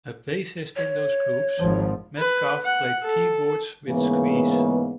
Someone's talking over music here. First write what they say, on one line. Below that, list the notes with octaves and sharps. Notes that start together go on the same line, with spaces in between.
A bassist in those groups, Metcalfe played keyboards with Squeeze.
C#5
G#1 G#2 F3
B4
F#5
A4
G#2 C#3 E3 G#3 A#3 B3